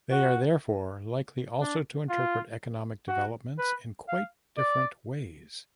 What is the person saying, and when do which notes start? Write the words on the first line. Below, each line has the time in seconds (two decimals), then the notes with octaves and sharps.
They are therefore likely also to interpret economic developments in quite different ways.
0.11 F#4
1.61 D4
2.09 F4
3.08 F#4
3.58 B4
4.08 F5
4.57 D5